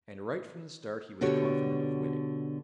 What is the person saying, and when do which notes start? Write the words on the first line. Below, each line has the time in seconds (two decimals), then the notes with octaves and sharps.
And right from the start he was confident of winning.
1.21 B2 D3 F#4 G4 C#5